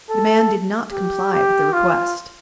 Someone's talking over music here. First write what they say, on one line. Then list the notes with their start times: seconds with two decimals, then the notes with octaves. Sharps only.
The man did not comply with the request.
0.10 A4
0.92 G4
1.32 G4
1.73 F4